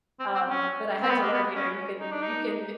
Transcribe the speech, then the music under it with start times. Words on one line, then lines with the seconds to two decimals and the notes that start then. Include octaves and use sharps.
um, but I had to learn, you know, you can you can
0.20 C4
0.35 C4
0.50 C#4
1.03 C4
1.09 B3
1.22 A#3
1.33 B3
1.55 C#4
2.00 D#4
2.11 D4
2.22 D#4